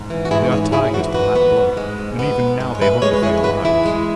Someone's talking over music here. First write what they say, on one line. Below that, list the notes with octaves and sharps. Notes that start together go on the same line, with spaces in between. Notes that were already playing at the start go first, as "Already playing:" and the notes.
They are tigers to lap blood, and even now they hunger for your lives.
Already playing: G#2
E3
F#4
G#2 E4 G#4
C#4 G#4 C#5
G#2 E4 G#4
E3 F#4
G#2 F#4 B4
B3
G#2
G#3
G#2
B3
G#2
G#3
C#5
E2 B4 E5
G#3 G#4 C#5
B4
E4 G#4 C#5
C#5
E3 F#4 B4
E2 E4 G#4
G#3